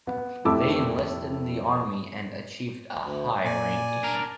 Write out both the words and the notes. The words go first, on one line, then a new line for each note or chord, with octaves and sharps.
They enlisted in the army, and achieved a high ranking.
B3
F1 A3 E4 A5 D6 E6
D2
A#2 D5 G#5
D4 A#4